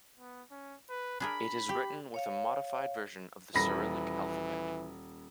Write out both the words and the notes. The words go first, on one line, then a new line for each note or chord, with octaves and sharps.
It is written with a modified version of the Cyrillic alphabet.
B3
C#4
B4
D4 G#4 A#4 B5
G4
C#5 F5
D#1 E3 B5 A#6